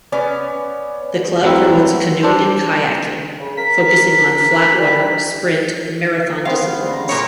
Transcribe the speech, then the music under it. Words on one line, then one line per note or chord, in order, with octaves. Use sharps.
The club promotes canoeing and kayaking, focusing on flatwater, sprint and marathon disciplines.
B3 C#4 D5
F3 F#3 C4 E4 B4
D4 A4 C5
C#3
A#4 B6
G3
B3 C4 D#5 F5
G3
A#5
A#2 A#4 C#5